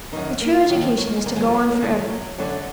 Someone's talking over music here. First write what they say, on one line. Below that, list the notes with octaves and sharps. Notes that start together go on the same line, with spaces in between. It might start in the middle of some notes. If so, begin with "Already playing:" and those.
The true education is to go on forever.
F#2 D#3 D#4
A#3
D#2 D#3 F#3
F3
F#3
A#3
G#3
D#2 D3 A#3
G#3
F3
F#3
B3
A#3
D#2 D3 G#3
F#3
F#3
F#2 D3 F#3